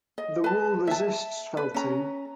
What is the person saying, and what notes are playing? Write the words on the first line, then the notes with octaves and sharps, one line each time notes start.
The wool resists felting.
D#5
B4 A5
E5 A5
B4
C#4 A#5